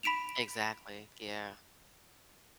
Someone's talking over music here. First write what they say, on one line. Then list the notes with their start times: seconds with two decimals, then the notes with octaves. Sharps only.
Exactly, yeah.
0.03 B5 B6 D7 E7 F7